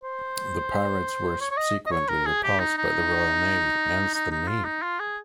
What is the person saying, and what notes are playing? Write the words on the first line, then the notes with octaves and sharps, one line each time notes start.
The pirates were subsequently repulsed by the Royal Navy, hence the name.
C5
C#5
C#5
D#5
D#5
C#5
A#4
G#4
G4
D#4
D#4
D#4
D#4
F4
D#4
F4
G#4